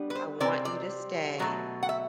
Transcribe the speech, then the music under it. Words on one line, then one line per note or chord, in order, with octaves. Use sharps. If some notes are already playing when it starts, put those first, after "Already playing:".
I want you to stay.
Already playing: G3 B3 D4
B4
C5
C3 G3 C4 D5
D5
B2 F#3 A3
F#5
E5